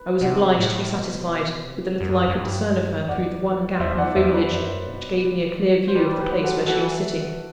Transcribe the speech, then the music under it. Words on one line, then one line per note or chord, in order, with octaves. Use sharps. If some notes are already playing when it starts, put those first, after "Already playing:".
I was obliged to be satisfied with the little I could discern of her, through the one gap in the foliage which gave me a clear view of the place where she was sitting.
Already playing: B4
C3 D5 F#5
A2
B2
C3
F#2
F#2
G2
F#2
E2 D5 F#5
E2 C5 E5
D5 F#5
E2 C5 E5
B4 D5
F#2
B2
G3
F#3
C5
G3 B4 D5
G4 B4
F#3
F#4 A4
E3 F#4 A4